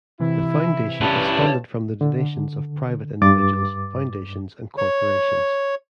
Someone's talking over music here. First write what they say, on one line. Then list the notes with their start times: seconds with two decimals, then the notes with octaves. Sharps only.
The Foundation is funded from the donations of private individuals, foundations, and corporations.
0.20 C3 E3 E4
1.01 G2 C#4 B4 A5
2.01 D3
3.22 G2 D6 A6
4.78 C#5